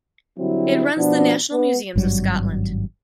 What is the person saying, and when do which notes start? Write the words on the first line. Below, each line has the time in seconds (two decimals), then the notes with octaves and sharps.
It runs the national museums of Scotland.
0.38 D3 F#3 G3 C4 E4
0.97 B2 F3 B3 D4
1.52 B3
1.96 G#1 G2 F#3 G3